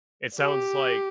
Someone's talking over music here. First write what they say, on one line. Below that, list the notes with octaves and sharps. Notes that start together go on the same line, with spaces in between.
it sounds like
G4